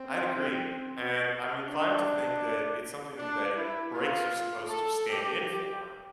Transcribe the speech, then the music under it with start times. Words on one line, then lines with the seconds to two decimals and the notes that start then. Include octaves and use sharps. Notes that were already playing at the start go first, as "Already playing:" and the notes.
I'd agree, and I'm inclined to think that it's something that breaks are supposed to stand in for,
Already playing: C4
1.65 D4
3.17 D4
3.55 E4
3.93 F4
4.69 A4
5.08 G4
5.46 G4